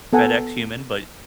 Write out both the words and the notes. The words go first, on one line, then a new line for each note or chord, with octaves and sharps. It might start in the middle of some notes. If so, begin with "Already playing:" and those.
FedEx human, but
B3 A4 F#5 G#5